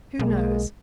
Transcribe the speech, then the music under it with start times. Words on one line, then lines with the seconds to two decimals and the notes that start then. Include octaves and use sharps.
Who knows?
0.19 B1 G#3 A#3